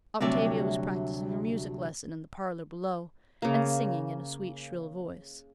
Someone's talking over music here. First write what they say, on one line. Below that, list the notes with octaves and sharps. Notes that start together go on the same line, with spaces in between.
Octavia was practising her music lesson in the parlour below and singing in a sweet shrill voice.
D2 C3 F#3 G3 D5 E5
C#3 A#3